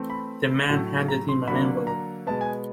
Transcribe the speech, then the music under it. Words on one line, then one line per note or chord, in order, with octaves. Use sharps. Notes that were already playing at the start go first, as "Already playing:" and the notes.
The man handed him an envelope.
Already playing: E3 A3 C4
B5
A2 F#3 A3
A#5
C6
D3 F#3 A#3 B5
A#5
B2 G#3 B3 A5
G#5